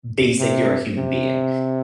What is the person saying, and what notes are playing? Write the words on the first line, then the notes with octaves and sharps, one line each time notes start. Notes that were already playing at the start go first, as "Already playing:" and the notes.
basic you're a human being,
C3
C3